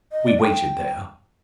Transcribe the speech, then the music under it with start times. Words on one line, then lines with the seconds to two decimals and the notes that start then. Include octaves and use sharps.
We waited there.
0.12 D#5
0.27 D5
0.41 G5